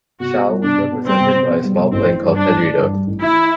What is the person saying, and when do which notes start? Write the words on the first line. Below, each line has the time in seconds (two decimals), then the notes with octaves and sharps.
Chile was represented by a small plane called Pedrito.
0.20 B2 F#4
0.34 B3
0.48 G3
0.63 B2 D4
0.78 B2
0.92 B3
1.06 G3 C4
1.20 B2
1.35 B2
1.50 B3
1.63 G3
1.78 B2
1.92 A1 C4
2.07 E3
2.22 G2
2.35 G3 D4
2.49 A1
2.65 E3
2.78 G2
2.93 G3
3.07 A1
3.22 E3 E4